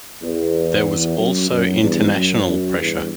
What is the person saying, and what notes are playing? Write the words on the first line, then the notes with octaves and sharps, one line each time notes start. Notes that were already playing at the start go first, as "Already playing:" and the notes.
There was also international pressure.
E2
F#2
F#2
E2 G2
F#2
F#2
E2 G2